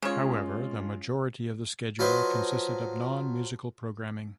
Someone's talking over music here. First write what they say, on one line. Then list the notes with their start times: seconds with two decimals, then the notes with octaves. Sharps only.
However, the majority of the schedule consisted of non-musical programming.
0.02 C#3 G#3 C#4 F4 C#5
1.99 F3 F#3 B4 C5 D#5